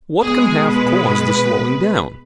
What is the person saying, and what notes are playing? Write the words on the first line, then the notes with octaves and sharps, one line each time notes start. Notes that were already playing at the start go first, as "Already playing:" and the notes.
What can have caused the slowing down?
B2 G#3 B3 G#4
B4